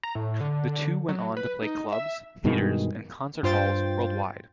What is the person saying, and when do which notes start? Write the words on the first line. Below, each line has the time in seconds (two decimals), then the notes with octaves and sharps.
The two went on to play clubs, theatres and concert halls worldwide.
0.03 A#5
0.15 A2
0.41 D3
1.09 F#3
1.37 B4
1.62 D#4
1.92 E5
2.44 G2 B2 D#3 G#3
3.43 G2 F4 C5 G5 A6